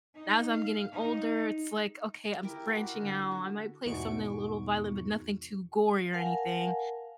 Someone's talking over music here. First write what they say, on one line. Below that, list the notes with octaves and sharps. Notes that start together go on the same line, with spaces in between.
as I'm getting older, it's, like, okay, I'm s branching out, I might play something a little violent, but nothing too gory or anything,
D#4
F5
D#4
E4 G4 A#4 D6
F#4 A#4 B5
D3
F#4
E2 G#2 B2 C#6 D7
A#4 F5 F#5 G#5 A5